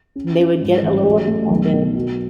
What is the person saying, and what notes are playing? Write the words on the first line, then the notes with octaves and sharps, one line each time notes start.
And they would get a little offended.
C#4
C#4
G#2
A1
F#3
A3
B1
B2
F#3